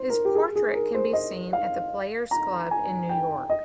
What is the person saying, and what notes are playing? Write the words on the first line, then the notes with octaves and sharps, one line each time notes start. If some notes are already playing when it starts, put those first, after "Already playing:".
His portrait can be seen at the Players Club in New York.
Already playing: C5
A#4
G4
G#4
G#4
A#4
C5
D#5
F5
A#5
G#5
G5
D#5